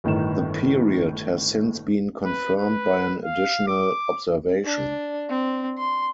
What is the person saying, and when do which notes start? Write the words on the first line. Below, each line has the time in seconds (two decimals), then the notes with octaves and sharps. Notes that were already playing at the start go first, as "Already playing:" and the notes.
The period has since been confirmed by an additional observation.
0.04 G1 A2 D#3 E7
2.25 B4
2.59 B4
3.25 F5
3.68 D6
4.64 D4
5.29 C4
5.78 C6